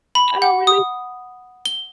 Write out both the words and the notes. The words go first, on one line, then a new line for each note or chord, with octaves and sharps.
I don't really
B5
F#5
D#6
G7